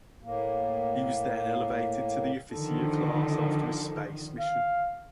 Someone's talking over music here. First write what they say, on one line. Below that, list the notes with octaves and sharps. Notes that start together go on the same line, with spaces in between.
He was then elevated to the "officier" class after his space mission.
A2 A#3
D3 D#3 F3 A4
F5